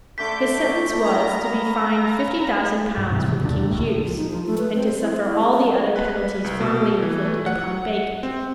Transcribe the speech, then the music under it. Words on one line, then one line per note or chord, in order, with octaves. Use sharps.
His sentence was, to be fined fifty thousand pounds for the king's-use, and to suffer all the other penalties formerly inflicted upon Bacon.
D3 A3 A4 B5 D6 G6 B6
C#5 D#5 F5 G#5 A#5 B5 A#6
G#2
G#2 C3 D#3 E3
G2 C#3 E3 G#3
E2 A#2 C#3 D4
D3
D1 C#2 A2
F3
D#4
F3
A3
B4
C4
C4
E4
C4
E4
G#3
B3
B4
C2
B2
E3
A3
F#5
C4